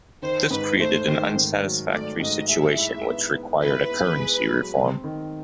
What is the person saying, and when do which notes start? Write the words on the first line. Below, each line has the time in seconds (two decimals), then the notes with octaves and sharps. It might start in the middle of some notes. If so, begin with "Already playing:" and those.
This created an unsatisfactory situation which required a currency reform.
0.22 D#3 C5
0.51 G#2 B4
0.79 A3 C5
1.07 D#3 C5
1.36 G#2
1.64 F#3
1.92 A3 D5
2.20 G#2 D#5
2.49 G#4 E5
2.78 E4
3.05 B3
3.33 B3
3.62 E4 B4
3.91 B3
4.18 G#4
4.47 F#3
4.75 C4
5.04 D#3